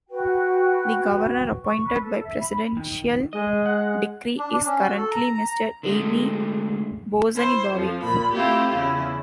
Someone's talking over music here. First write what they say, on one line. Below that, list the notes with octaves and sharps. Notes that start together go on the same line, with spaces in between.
The governor, appointed by presidential decree, is currently Mr. Aime Bosenibamwe.
F#4 B4 G5
C#6
B4
A4
E5
B5
D#3
G#3 D#5
F#5
D4
D4
C#4
F#4
A4
A#5
A#5
A#5
D3 G#3 A3
E4 C5
F2 F3
A#2 B5
A3 C4 E4 F4 G4
E2 C#3 E4